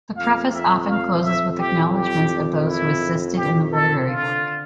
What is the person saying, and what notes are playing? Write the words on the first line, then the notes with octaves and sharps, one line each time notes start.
The preface often closes with acknowledgments of those who assisted in the literary work.
F2 F5
F2 E5
F5
F2 E5
G4
G4
E4
G4
A4
D3 F4